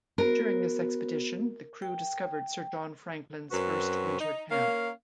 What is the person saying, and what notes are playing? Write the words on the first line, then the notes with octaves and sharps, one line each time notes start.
During this expedition, the crew discovered Sir John Franklin's first winter camp.
B3 F#4 A#4 C5
G5
F#2 C4 F#4 B4
D#4
A#3 C#4 A#4 F5